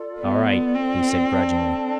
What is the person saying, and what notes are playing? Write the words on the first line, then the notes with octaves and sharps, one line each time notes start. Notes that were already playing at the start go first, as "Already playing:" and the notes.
"All right," he said grudgingly.
Already playing: F4 A4 D5
B3
C4
D4 A4 D5 A5